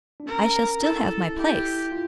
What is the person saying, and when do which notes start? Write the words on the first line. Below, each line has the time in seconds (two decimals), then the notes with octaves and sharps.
"I shall still have my place."
0.20 D4
0.26 C#4 A#4
0.82 E4 A4
1.37 E4 G4
1.92 F4